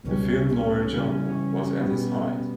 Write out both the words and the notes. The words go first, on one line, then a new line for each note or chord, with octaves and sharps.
The film noir genre was at its height.
C#2 B2 G3 C#4
C#4
C#3 E3 G3
B2 G3 B3